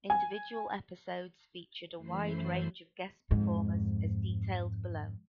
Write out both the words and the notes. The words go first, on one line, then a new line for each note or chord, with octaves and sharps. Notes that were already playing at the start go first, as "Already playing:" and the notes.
Individual episodes featured a wide range of guest performers, as detailed below.
G#5
F#2 E3 A3 C5 B5 C7
F2 G#2